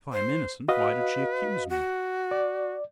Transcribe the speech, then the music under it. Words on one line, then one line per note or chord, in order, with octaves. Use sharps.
"If I am innocent, why did she accuse me?"
C5
F#4 B4 D#5 F5
F#4
D5